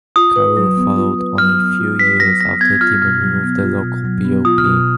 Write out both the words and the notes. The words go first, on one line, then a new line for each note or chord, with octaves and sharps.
Karoo followed on a few years after Demon removed their local PoP.
F4 D#6
B4
F#3
B3
F4
B4
F#3 F6
B3
F4
B4 B6
F#3 A#6
B3 A#6
B3 G#6
F4 F6
B2 F6
F#3
B3
F4
B2
F#3
B3
F4 D#6
F6
B2 D#6